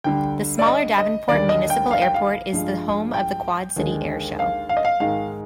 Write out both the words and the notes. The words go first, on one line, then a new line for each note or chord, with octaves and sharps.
The smaller Davenport Municipal Airport is the home of the Quad City Air Show.
D2 D3 G3 G5
D5
D#5
D#5
D#2 D3 G3 D5
D#5
G5
F5
G5
F5
G2 F3 G#3
G5
D#2 D3 G#3
F5
F5
D#5
F5
G#2 D#3 G#3 F5